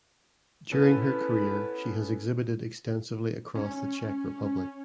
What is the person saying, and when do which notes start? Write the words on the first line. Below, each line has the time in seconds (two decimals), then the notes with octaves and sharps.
During her career she has exhibited extensively across the Czech Republic.
0.72 B3 C#4 E4 A4 B4
3.55 C#4